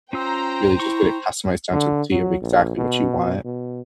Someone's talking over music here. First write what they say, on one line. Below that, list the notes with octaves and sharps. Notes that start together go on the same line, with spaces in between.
really just get it customized down to the T of exactly what you want.
C#4 F4 C5 G5 A#5 E6
E4 C#6
D3
F#3
A#1
B2
B2